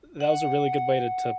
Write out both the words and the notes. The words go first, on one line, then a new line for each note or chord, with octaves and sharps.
that was a really good way to to
F#5